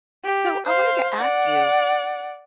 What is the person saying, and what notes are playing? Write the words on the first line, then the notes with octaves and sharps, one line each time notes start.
So I wanted to ask you,
G4
C5 F5
D5 F#5